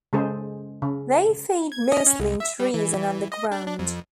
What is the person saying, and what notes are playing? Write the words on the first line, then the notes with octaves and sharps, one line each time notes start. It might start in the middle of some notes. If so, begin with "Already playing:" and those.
They feed mostly in trees and on the ground.
C#3 G#3 G#4 A4 C5
C#3
G#6
D#5
C#4
C2
E5
G3
E3
D#5
D4
D4
F2